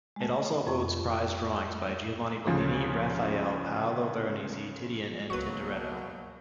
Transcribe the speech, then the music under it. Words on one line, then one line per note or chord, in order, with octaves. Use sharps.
It also holds prized drawings by Giovanni Bellini, Raphael, Paolo Veronese, Titian, and Tintoretto.
G#3 A3
F2 C#6
G4
D2 C#3 F3
C#2 B2 F#3 A#3 F4 F#4 B4